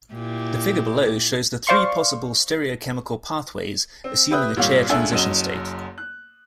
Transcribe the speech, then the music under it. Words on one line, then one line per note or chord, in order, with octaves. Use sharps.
The figure below shows the three possible stereochemical pathways, assuming a chair transition state.
A#2 E4 G4
C5 D5 F5 C6 C#6
C4
G4 B4 E5 D#6 F#6 G6
G#1 A#2 G3 C#5 F5
C#2 D4 G#4 A4 E5
F#1 F#2 F#3 D#5 D#7 E7
F#6